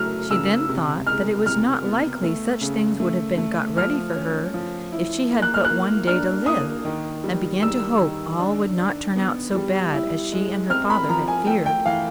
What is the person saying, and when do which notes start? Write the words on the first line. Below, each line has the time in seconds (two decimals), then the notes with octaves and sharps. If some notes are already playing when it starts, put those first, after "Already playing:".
She then thought that it was not likely such things would have been got ready for her, if she had but one day to live; and began to hope all would not turn out so bad as she and her father had feared.
Already playing: C#3 F#3 A3 F6
0.30 C#3 E6
0.69 C3
1.07 G#3 F6
1.46 C3 F6
1.84 B3
2.23 A3
2.61 C#3
3.00 A3
3.38 A3
3.77 F3 F6
4.15 C#4
4.54 F3
4.92 E4
5.31 A#3
5.42 F#6
5.54 F6
5.65 A#3 F#6
6.07 D4 F6
6.46 A#3 D#6
6.85 D#3
7.24 G3
7.62 G3 E6
8.01 D#3
8.39 D4
8.78 D4
9.16 B3
9.55 G3
9.93 E4
10.32 G#3
10.70 C4 F6
10.90 B5
11.09 F3 A#5
11.28 G#5
11.47 A3 G5
11.66 G5
11.86 E3 F5